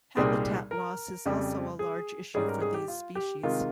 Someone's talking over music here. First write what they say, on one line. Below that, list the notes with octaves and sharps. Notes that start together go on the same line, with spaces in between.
Habitat loss is also a large issue for these species.
C2 A#2 G3 C4 D#4 G#4
A#4
F2 C#3 G3
G#4
G#2 G3 C#4 G#4
A#4
G#4
G4
F4
G4
C3 D#3 G#3 F4